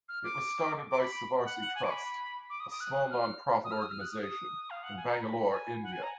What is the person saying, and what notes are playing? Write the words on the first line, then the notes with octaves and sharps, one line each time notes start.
It was started by Sivasri Trust, a small non-profit organization, in Bangalore, India.
F6
D6
D6
B5
F#5
F#5
G#5
D6
B5
D6
D#6
D#6
F#6
F6
D#6
F6
D#6
F6
F#6
D#6
D#6
F5
F#5
G#5
A#5
B5
G#5
F#5
G#5
A#5